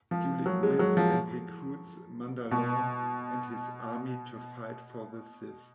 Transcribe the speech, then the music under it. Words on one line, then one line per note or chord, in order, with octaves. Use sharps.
Ulic wins, and recruits Mandalore and his army to fight for the Sith.
F3
F#3
G#3
F#3
F3
B2